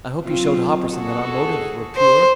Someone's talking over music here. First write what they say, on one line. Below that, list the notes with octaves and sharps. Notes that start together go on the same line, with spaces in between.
"I hope you showed Hopperson that our motives were pure?"
F#3 C4 F4
F#4 G#4 A4
C5